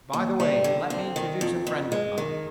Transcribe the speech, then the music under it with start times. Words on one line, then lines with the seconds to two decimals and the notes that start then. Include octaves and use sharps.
By the way, let me introduce a friend of mine.
0.13 D#2
0.40 G3
0.64 D3
0.90 C4
1.16 D#3
1.41 F2
1.67 F2
1.92 G#3
2.18 D#3